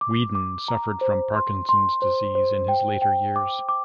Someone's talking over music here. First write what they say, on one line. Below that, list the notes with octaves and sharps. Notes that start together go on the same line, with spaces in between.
Weedon suffered from Parkinson's disease in his later years.
D6
D6
A#5
C5
C6
C6
C5
C5
G5
G5
D6
D6